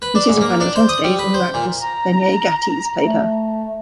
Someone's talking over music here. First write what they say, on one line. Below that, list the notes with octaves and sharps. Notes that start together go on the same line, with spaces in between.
When Susan finally returned to "Days", a new actress, Bennye Gatteys played her.
B4
D4
G#2
A#3
D4
C5
D#6
G3
B4
C5
A#2
A#5
A3